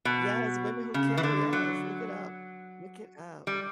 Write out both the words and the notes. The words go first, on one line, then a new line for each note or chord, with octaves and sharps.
Yes, Women Who Kill, yes, look it up. Look it up.
B2
C#3
E3
D3
F#3
G3